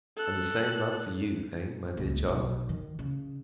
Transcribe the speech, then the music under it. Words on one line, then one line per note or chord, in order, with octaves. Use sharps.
"And the same love for you--eh, my dear child?"
A4 F#6
D#1 C#2
B1
D#3
C#3